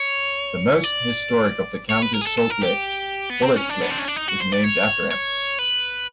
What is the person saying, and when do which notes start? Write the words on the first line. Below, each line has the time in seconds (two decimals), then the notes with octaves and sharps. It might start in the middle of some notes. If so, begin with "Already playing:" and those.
The most historic of the county's salt licks, Bullitt's Lick, is named after him.
Already playing: C#5
0.84 D5
1.90 C#5
2.02 B4
2.15 A#4
2.21 G#4
2.27 A4
2.38 A4
2.50 A#4
2.62 G4
3.30 B3
3.43 C4
3.56 C#4
3.69 D4
3.82 B3
3.90 C4
3.98 C#4
4.08 D4
4.16 D#4
4.28 F#4
4.40 C5
4.52 D5
4.64 C#5
5.11 C#5
5.59 B4